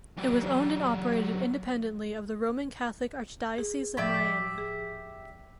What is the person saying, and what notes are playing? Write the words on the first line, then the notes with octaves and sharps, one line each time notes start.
It was owned and operated independently of the Roman Catholic Archdiocese of Miami.
F#3 G4
G#4
A2 F3 G4 D5 E5 A6
G#4